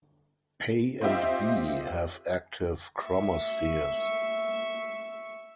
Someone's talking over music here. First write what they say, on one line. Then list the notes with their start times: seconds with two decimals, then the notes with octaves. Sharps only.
A and B have active chromospheres.
1.01 C4 D#4 F4 G4 E5
3.02 E5 C#6